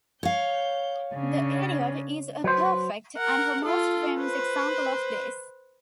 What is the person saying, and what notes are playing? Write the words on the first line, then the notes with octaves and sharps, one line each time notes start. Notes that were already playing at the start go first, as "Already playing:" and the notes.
"The Idiot" is a perfect, and her most famous, example of this.
C#5 F5 G6
C#3 C#4 D4
F#3 B4 C5
A#4 F#5
F4 A4
B4 C5